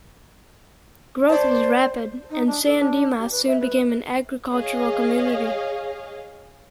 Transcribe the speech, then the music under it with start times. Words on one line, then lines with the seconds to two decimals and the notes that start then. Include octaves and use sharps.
Growth was rapid, and San Dimas soon became an agricultural community.
1.29 C5 D5 A5
2.30 D#4
2.47 D4
2.65 A4
2.78 D4
3.19 G4
3.32 B4
3.47 E5
3.60 B4
4.52 G#4 C#5 D#5 F5